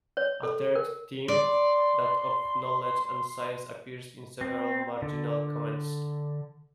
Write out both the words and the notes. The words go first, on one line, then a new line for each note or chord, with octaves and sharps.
A third theme, that of knowledge and science, appears in several marginal comments.
C#5
A4
A#4
D5 C6
C4
D3